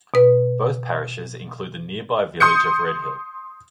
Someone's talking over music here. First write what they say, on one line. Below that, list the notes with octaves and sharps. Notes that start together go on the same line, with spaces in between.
Both parishes include the nearby village of Redhill.
B2 B4
C6 D#6 G6 C#7